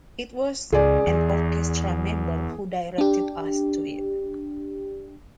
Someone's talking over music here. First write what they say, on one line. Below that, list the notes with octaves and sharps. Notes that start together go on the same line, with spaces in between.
It was an orchestra member who directed us to it.
C#2 G#4 D5
E2
D4 G4